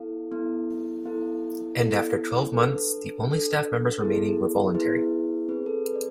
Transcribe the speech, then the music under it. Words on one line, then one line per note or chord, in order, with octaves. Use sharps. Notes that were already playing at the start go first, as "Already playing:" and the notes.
And after twelve months, the only staff members remaining were voluntary.
Already playing: B3 E4 A4 F5
B3 E4 A4
B3 E4 A4 F5
B3 E4 A4
D4 A4 B4
D4 A4
B3 E4 G#4 A4
B3 E4 G#4 B4
C4 G#4 B4
A4
B4
D5